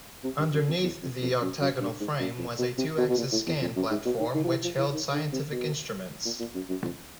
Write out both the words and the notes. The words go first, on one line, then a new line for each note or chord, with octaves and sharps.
Underneath the octagonal frame was a two-axis scan platform which held scientific instruments.
C3
G2
F#2
F2
E2
F2
F2
F#2
F#2
G2
G#2
F#2
F2
B2
C3
B2
B2
A#2
A2
E2
F2
F#2
G#2
B2
D#3
D#3
F3
E3
F3
E3
D#3
D3
C3
B2
A#2
A#2
F#2
F#2
F2